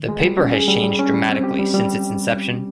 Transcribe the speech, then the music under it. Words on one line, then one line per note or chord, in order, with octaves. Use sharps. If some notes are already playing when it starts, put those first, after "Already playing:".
The paper has changed dramatically since its inception.
Already playing: D#3
G#3
G3
C#4
G#4
G3
G3
C#4
G3
C4
G4
G3
G3